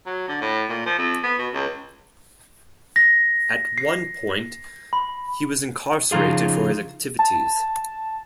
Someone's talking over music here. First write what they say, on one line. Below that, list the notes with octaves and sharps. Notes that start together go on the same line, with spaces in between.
At one point, he was incarcerated for his activities.
F#3
D3
A2
A#2
F3
F2
B3
B2
C#2
A#6
C7
B5
C#3 F3 D#4 F4 G#4
A5